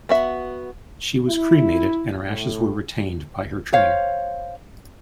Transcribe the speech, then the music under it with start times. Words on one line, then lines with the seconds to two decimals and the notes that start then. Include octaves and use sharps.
She was cremated and her ashes were retained by her trainer.
0.09 B3 F#4 E5
1.27 E4
2.27 A2
3.72 C5 C#5 F5